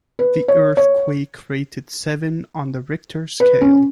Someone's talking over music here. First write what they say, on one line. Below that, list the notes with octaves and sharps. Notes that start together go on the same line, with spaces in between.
The earthquake rated seven on the Richter scale.
B4
C#5
C#5
B4
C#4